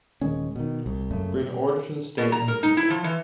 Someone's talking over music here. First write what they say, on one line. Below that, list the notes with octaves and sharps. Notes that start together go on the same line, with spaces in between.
Bring order to the state and the people.
D#1 D#3 G#3 C#4
B2 D#3
C2
F#1 F#2 C#3 A3
B2
A#5
A#4
D#4
E4
F3
E3